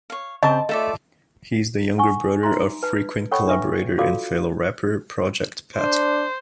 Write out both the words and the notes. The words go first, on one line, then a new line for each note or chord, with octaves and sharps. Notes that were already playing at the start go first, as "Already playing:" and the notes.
He is the younger brother of frequent collaborator and fellow rapper Project Pat.
C#5 F5
C#3 C4 D#5 A5
A3 F4 A4 D5 E5
F#5 G#5 C#6
D#4 E5 A#5 C6
B4 A5
A4 C#5 F#5 G5 B5 C#6
D4 B4 E5 C#6
F4 F#4 A4 D5 F5 D6
D4 C5